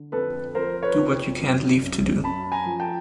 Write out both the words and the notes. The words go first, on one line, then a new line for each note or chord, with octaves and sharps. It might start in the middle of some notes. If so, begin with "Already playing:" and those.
Do what you can’t leave to do.
Already playing: D3
F2 A4 B4
F3 A#4 C5
B4 C#5
F2
F#2
F#2
F#2 A5 B5
G#5 A#5
F3
G5 A5